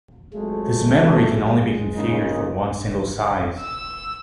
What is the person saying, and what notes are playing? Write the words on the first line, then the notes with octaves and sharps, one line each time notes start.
This memory can only be configured for one single size.
F2 F#3 G#3 A3
G#3
A#2 C#3 D#4
E6